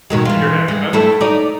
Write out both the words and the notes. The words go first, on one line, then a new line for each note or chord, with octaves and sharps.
Your heavy metal?
B2 D#3 G#3
E3 F4
G#3
A3 E4 A4
D#4 D5